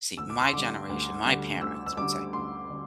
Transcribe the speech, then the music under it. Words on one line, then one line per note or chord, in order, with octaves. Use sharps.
see, my generation, my parents would say,
D2 E6
D6
C6
D3 G3 D6
D2
D3 G3
D2 E6
E6
D3 G3 D6
D2 C6
D3 G3